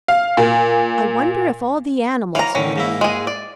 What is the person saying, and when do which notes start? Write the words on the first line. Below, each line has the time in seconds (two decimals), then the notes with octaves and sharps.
"I wonder if all the animals are in there."
0.08 F5
0.37 A#2
2.35 E3 C#5 F5 A#5
2.55 A2 D3 D#3 C#4
2.76 G#2 A#3 E4
3.01 G#3 G#4
3.27 D5